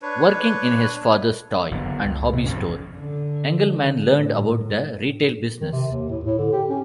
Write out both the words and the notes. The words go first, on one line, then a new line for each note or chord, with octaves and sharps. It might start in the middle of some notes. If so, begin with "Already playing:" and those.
Working in his father's toy and hobby store, Engelman learned about the retail business.
D4 B4 C#5
F#1 D3 F#3 B3
C#2
C3 B3
G#1 F2 C#3 C#4
D3
A2
D#3
C3
D#2
A2
A2
D3
G4
C#4